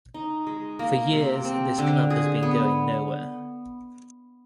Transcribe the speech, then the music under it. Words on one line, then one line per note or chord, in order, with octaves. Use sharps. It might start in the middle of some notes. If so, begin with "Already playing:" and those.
For years this club has been going nowhere.
D#4
G#3
A#3
C3
C4
D3
G#4
B3